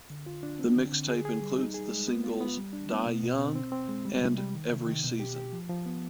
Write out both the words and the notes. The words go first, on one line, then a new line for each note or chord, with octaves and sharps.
The mixtape includes the singles "Die Young" and "Every Season".
D3
F4
D4
C4
D3
D3
G#4
G#4
G3
D#4
G#4
G#3
B3
F4
B3
G3
D4
B3
B2
B2
C4
C4
C4
G#3
G3
C3
G3
D#3
C3
D#3
B2
G4
G4
F3
F3
B3